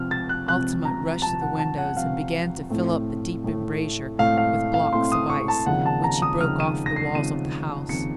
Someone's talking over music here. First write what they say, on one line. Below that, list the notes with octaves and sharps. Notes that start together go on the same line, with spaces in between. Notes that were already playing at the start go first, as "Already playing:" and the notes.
Altamont rushed to the windows, and began to fill up the deep embrasure with blocks of ice, which he broke off the walls of the house.
Already playing: C3 F3 C4 F6
A6
F#6
C3 F3 C4 F#6
A#5
C3 F3 C4 A5
F#5
A5
F#5
C3 F3 C4 F5
A2 A3 C4
A2 A3 C4
A2 A3 C4 F5
F5
F5
A2 A3 C4 C6
D#6
C#6
A5
D#2 C#3 F3 C4 D#4 F#5
A5
A#5
D#6
D#2 C#3 F3 C4 D#4 F6
D#7
A#6
C7
D#2 C#3 F3 C4 D#4 D#7
D#2 C#3 F3 C4 D#4 C#7